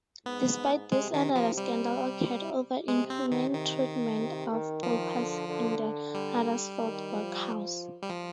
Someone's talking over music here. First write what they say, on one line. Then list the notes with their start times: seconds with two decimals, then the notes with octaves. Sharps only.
Despite this another scandal occurred over inhumane treatment of paupers in the Huddersfield workhouse.
0.26 G#2 B3
0.92 C3 G#3
1.14 D#3
1.35 F3
1.58 G3
2.88 C3 G#3
3.10 C4
3.31 D#3
3.53 D#3
4.18 C3
4.51 D#3
4.83 D#3 F3
5.16 D3
5.49 D3
6.15 G3
6.79 D#3
7.12 F3
8.03 G3
8.10 F3